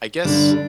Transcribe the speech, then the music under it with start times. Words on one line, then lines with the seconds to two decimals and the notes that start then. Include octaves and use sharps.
I guess
0.24 G2 D3 G3 D4